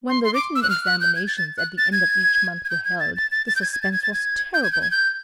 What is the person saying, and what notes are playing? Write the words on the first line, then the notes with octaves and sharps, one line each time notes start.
When the written examinations at the end of each month were held the suspense was terrible.
C6
C6
D6
E6
F#6
F6
F#6
G6
G#6
A6
A6
F#6
A6
G#6
G#6
G6
G#6
A6
A6
A6
A6
G6
G#6
G#6
A6
G#6
A6
G#6
G6
G#6
G6
G#6
G6